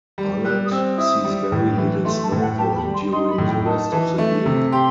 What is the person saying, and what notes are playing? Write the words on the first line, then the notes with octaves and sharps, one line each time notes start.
Alert sees very little snowfall during the rest of the year.
G3
G3 F#6
D#6
C4 E6
E4 D#6
G3
A2
E3
A3 C6
A5
A2
F#5
G4 A5
B5
G3
C6
D#4 C6
B5
A2
G5
D#4 A5
E3
A3
C3
G4 C6